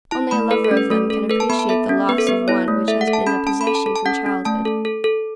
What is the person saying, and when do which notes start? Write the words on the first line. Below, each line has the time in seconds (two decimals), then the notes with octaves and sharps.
Only a lover of them can appreciate the loss of one which has been a possession from childhood.
0.11 E4 A5
0.31 A3 B5
0.51 A4 B4
0.64 A4
0.71 C#4
0.77 B4
0.90 A3 A4
1.10 A4
1.30 A4 B4
1.40 A5
1.49 B3 B5
1.59 A5
1.69 A4 E5
1.89 C#4
2.09 B3 B4
2.18 A4
2.27 B3 B4
2.48 E4 C#5
2.68 A3
2.88 A4 E5
3.01 F#5
3.08 A4
3.13 A5
3.26 C#4 B5
3.47 C#4 A5
3.61 B5
3.67 A4
3.75 A5
3.86 A4
3.96 A5
4.06 C#4 F#5
4.26 C#4
4.45 A3 A5
4.65 A4
4.85 A4
5.04 A4